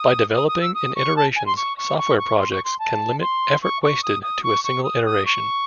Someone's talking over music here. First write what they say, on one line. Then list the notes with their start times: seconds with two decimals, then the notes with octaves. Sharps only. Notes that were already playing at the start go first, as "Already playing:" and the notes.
By developing in iterations, software projects can limit effort wasted to a single iteration.
Already playing: D#6
0.34 D#6
0.48 D#6
0.61 E6
0.74 D#6
0.96 C#6
1.16 A5
1.36 G#5
1.46 C6
1.57 C#6
1.77 C#6
1.98 C#6
2.18 C#6
2.39 C6
2.51 C#6
2.65 C6
2.79 A5
3.21 C6
3.62 C#6
3.83 C#6
4.03 D#6
4.23 D#6
4.44 C#6
4.64 C#6
4.84 D#6
5.05 D#6
5.26 C#6